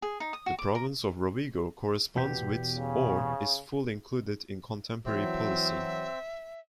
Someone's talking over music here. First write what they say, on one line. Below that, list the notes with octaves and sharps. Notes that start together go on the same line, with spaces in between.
The province of Rovigo corresponds with or is full included into contemporary Polesine.
G#4
D#4
D#6
F#4
D6
A#4
E2 B2 G4
C#3
E3 F#3 C4 E5